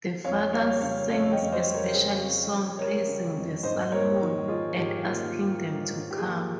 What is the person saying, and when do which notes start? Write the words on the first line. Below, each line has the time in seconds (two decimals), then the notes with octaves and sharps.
The father sings a special song praising the salmon, and asking them to come.
0.25 F2 C#5 F5
0.53 G3 C#5 F5
0.81 C#3 C#5 F5
1.10 F2 C#5 F5
1.31 D#5 G5
1.38 F2
1.52 C5 D#5
1.66 G3
1.74 A#4 C#5
1.94 C#3 G#4 C5
2.22 F2
2.50 F2
2.79 G3 A#4 C#5
3.08 C#3
3.36 F2
3.63 G#2 C5 D#5
3.92 A#3 A#4 C#5
4.21 D#3
4.48 D#4 F4 G#4
4.76 G#2 G4
5.05 A#3 F4
5.33 D#3
5.62 D#4
5.89 G#2
6.11 G4
6.17 A#3 F4 G#4